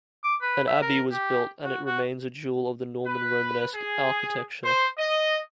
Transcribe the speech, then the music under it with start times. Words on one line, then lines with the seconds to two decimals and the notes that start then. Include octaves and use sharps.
An abbey was built and it remains a jewel of the Norman Romanesque architecture.
0.24 D6
0.42 B4
0.67 E5
0.82 A#4
1.12 G4
1.64 F#4
1.86 F#4
3.06 B4
3.75 G#4
4.64 C5
4.98 D#5